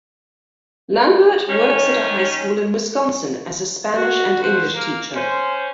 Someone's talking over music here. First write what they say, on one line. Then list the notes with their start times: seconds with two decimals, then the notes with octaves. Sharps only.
Lambert works at a high school in Wisconsin as a Spanish and English teacher.
1.49 D#3 C#4
3.96 F#4
4.42 F3 F#4 B4 C5
4.75 A#3 A#4
5.14 C#4 C5